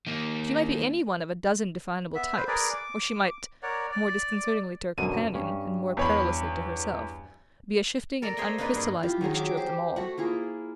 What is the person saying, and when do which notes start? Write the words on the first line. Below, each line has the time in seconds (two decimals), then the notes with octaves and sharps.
She might be any one of a dozen definable types, or she might--more disconcertingly to her companion and more perilously to herself--be a shifting and uncrystallized mixture of them all.
0.07 D#3 A#3
2.15 B3 E5
2.36 B4 C5
2.48 G#4 A#4 B4 D5
2.73 D6
3.63 A#4 C#5 D5 F#5
3.91 D5
4.98 F#2 B2 D3 D#7
5.34 G2 C#4
5.97 E2 C#5 B5
8.22 A4 A#4 D5
8.37 G#4 C5 C#5 D#5 E5
8.58 A#3 D4 D#4 F4 B4
8.74 G2 G#4
9.03 E4 F4 G4
9.21 D#3 F#3 G#4 C#5
9.35 F#3 C#5 E5 D6
9.57 G4 C5
9.96 A3 F#4 F#5
10.17 A#3 E4 F4 G#4